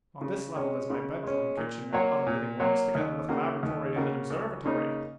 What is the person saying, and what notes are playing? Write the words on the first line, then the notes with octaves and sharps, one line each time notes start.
On this level is my bedroom, kitchen, and other living rooms, together with a laboratory and an observatory.
C#3
G#3 C#4
C#3
G#3 C#4
A#2
F#3 A#3 F#4 C#5
A#2
F#3 A#3 F#4 C#5
D#2
C#3 A#3 F#4
D#2
C#3 A#3 F#4
C#2
C#3 A#3 D#4